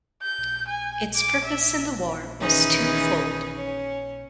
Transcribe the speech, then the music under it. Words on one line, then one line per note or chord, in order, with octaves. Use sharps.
Its purpose in the war was twofold.
G6
G#5
D6
E5
D#3 E3 C#4 D#4 G#4 B4
C#4